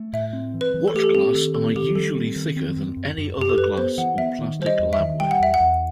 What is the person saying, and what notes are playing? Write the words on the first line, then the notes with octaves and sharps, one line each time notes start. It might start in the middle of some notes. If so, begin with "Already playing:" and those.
Watch-glass are usually thicker than any other glass or plastic lab-ware.
Already playing: A3
A2 E5
C4
E3
B4
E3
A4
A3 G4
A4
C4 G4
D#3 A4
C4 A4
D#3 G4
G3 A4
C4
D#3
C4
F#2
F#2
F#2
F#2 G4
A4
F#2 B4
B3 C5
E3 F#5
B3 E5
D#3
G3 C5
D#5
E2
E5
D#3
G3 G5
F#5
E2 E5
F#5
E2